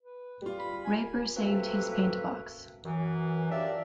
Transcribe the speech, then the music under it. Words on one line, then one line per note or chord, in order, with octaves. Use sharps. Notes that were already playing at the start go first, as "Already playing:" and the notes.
Raper saved his paint box.
B4
G3 F4
B5
G#5
A3 A#3 C4 C#4 F#4 B4
F#2 E3
D4 F4 G4 A#4 D5 E5